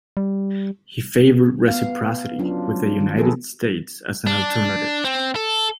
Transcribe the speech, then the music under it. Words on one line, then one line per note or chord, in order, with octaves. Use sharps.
He favoured reciprocity with the United States as an alternative.
G3
B3 F5
F#3 C#4 D4 F4
D#3
F3 A#3 G#4 A4 B4
D4
C4
A4